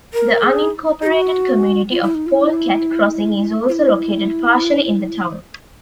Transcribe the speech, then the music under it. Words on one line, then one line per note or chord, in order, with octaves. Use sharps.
The unincorporated community of Pole Cat Crossing is also located partially in the town.
A#4
G#4
G#4
F#4
F4
E4
D#4
F4
E4
F4
E4